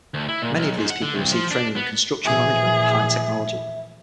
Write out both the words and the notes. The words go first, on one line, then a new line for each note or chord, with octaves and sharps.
Many of these people received training in construction management and high technology.
D2
E4
A#2
B1
G#2
F#5
D3
C2
F3
D4
B3
A#2 E3 F3 G#4 E5